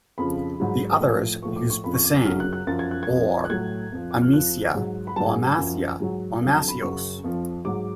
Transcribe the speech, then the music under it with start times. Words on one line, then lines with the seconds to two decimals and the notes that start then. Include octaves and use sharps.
The others used the same, or Amisia, or Amasia or Amasios.
0.18 F2 C#3 F3 B5
0.60 G#2 F#3
1.00 A2 F3
1.42 A2 F3 C#6
1.56 D6
1.70 C#6
1.84 F2 C#3 F3 B5
1.94 C#6
2.04 D6
2.15 D6
2.25 F#2 C#3 F#3 F6
2.40 F#6
2.53 F#6
2.67 F#2 F3 A6
2.79 G#6
2.91 F#6
3.03 G#6
3.09 F2 F3
3.45 F#6
3.50 A2 F#3 G#6
3.92 F2 F3
4.11 D6
4.22 F6
4.33 F2 F3 F#6
4.75 G#2 F#3
5.07 B5
5.16 G#2 F#3 A5
5.26 G#5
5.47 G#5
5.58 F#2 F3
6.00 G#2 F#3
6.41 F2 D3 F#3 F5
6.54 A5
6.68 B5
6.82 F#2 C#3 F#3 C#6
7.24 F2 F3
7.65 G#2 F#3 D6